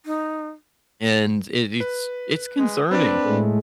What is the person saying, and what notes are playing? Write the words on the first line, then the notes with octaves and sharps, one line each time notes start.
and it it's it's concerning,
D#4
B4
G#3
C4 D4 B4 D5
A2 G#3 A3